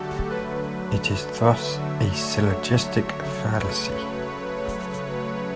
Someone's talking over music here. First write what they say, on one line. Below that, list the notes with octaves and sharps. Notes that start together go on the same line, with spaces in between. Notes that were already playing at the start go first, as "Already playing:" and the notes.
It is thus a syllogistic fallacy.
Already playing: D3 F#3 A3 F#4 G4 A4
D3 F#3 A3 B4
E5
D3 F#3 A3
C#5
C#3 F#3 A3
B4